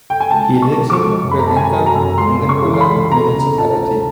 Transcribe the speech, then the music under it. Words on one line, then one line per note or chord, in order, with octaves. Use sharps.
He lives in Crvenka in the Kula municipality.
G5
G#5
C#2 A5
B2
C#6
F#3
D6
C#6
C#2
F#2
B5
A#5
D#3 A5
G#5
F#3
A#5
F#2
C#2 C6
C#3
C#6
E3
C6
B5
C#2
D2 A#5
C#3
F3 A5
D2